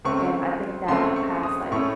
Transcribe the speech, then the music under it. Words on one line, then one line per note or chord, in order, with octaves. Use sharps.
And I think that unpacks, like,
C#2 C#3 A3 C4 C#6
C#2 C#3 A3 C4 C6
C#6
D#6
A2 A3 C#4 C#6